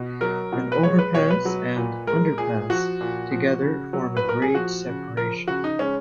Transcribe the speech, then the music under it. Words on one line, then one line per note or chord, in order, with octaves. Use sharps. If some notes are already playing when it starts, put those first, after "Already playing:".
An "overpass" and "underpass" together form a grade separation.
Already playing: B2
F#3 A#4
B2
B4
G#3 C#5
B4
B2 C#5
B4
F#3
A#2
G#3 A#4
A#2 G#4
F3 F#4
A#2
F3
C#3
F#3
B4
A#2 A#4
G#4
F3 F#4
C#3
F3 A#4
C#3 F#4
D#4
G#3 C#4